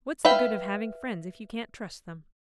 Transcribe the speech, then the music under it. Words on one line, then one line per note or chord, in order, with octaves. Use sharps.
What's the good of having friends if you can't trust them?
B4 E5 F5 G5